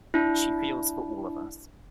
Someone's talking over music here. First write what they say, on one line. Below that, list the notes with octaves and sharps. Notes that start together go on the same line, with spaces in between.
She feels for all of us.
D4 E4